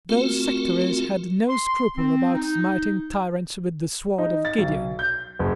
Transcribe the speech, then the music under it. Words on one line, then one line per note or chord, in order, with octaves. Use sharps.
Those sectaries had no scruple about smiting tyrants with the sword of Gideon.
A3 C4 F4 F#4 A#4
C6
C4
D#4
D#4
A6
B1
G6
F#1